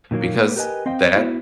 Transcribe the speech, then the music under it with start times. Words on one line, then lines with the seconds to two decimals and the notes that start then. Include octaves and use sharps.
because that
0.11 A#2 D#3 F#3 A#3
0.36 A#3 B4
0.56 G4 A#4 B4 D#5 G#5
0.86 C4 C5 D#5 F5 G5
1.16 B3 E4 F#4